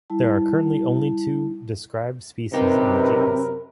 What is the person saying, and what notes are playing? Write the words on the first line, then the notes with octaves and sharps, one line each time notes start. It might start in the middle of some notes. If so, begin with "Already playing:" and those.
There are currently only two described species in the genus.
G3 E4 A5
F#2 C3 C4 D#4 G4 A#4 B4